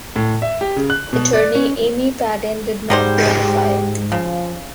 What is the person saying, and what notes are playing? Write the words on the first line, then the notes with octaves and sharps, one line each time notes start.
Attorney Amy Padden did not qualify.
A2
E5
G4
C#3
F#6
B2
D5
C#4
G#2 F#3 G3 G4 C5
C#3 F3